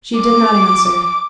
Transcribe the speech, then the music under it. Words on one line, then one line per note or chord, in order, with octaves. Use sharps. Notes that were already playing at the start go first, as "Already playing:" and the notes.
She did not answer.
D6